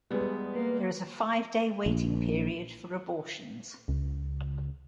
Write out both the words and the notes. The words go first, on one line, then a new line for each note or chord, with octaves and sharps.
There is a five-day waiting period for abortions.
E2 G3 G#3 B3
A#3 B4
A#1
C#2